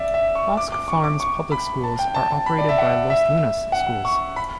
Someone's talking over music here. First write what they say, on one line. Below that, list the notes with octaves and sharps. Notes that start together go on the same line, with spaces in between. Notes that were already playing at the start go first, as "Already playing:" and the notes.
Bosque Farms' public schools are operated by Los Lunas Schools.
Already playing: D5 E5
E5
C#6
D6
D6
C#6
D6
C#6
B5
A5
G5
A5
A5
B5
D5
E5
F#5
E5
F#5
C#6
B5